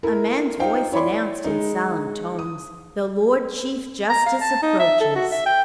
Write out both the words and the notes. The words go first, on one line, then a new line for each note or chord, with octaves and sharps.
A man's voice announced in solemn tones, "The Lord Chief Justice approaches."
E4 A4 A#4
D#4 F4 C5 F5 G5
E4 C#5 D5 B5 C6
G#3 D#4
D#6
A#5
F5
A5
D#4
E5
A4
F#4
E5
G5